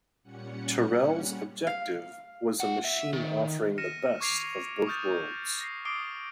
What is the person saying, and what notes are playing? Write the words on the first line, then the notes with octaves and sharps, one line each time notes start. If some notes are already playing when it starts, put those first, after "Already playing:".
Terrell's objective was a machine offering the best of both worlds.
A#2 G3 C#4 F#5 C#7
F5
F4 F#5
E5
D#3
F6 A#6 C#7 D#7 E7
C#6 D6 G#6 C7 D7 F7
C#6 D#6 F6 G6 A6
A#6 C7
D6 D#6 C7 D7 G7